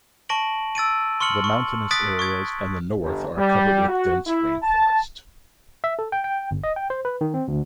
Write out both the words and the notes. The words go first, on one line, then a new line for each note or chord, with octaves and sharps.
The mountainous areas and the north are covered with dense rainforest.
A5 C#6 A#6 D7 F#7
E6 A6 D7 D#7
C6 C#6 F6 C#7 F#7
C#6
D#6 F#6 A6 B6 D7
C#6 D#6 G#6
G1
G3
F#4
E4
A5
E5
A4
G5
G5
G1
D#5
G5
C5
B4
D#3
C4
D2